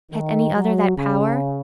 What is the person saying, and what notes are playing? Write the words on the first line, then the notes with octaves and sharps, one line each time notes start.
Had any other that power?
D#3
F#3
C#3